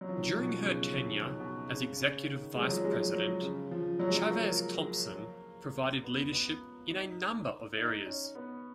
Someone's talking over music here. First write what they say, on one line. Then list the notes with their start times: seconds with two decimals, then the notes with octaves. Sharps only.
During her tenure as executive vice-president, Chavez-Thompson provided leadership in a number of areas.
0.01 F#3
0.09 F3
0.16 D#3
0.38 B2
0.59 C#3
0.81 D#3
1.09 D#3
1.40 B2
1.68 C#3
1.96 C#3
2.26 D#3
2.55 G#3
2.62 F#3
2.69 F3
2.77 F#3
2.84 G#3
3.13 F#3
3.42 C#3
3.71 F3
4.00 F#3
4.08 G#3
4.15 F#3
4.30 A#3
6.04 B3
6.33 B3
6.90 D#4
7.77 D#4
8.06 C#4
8.35 B3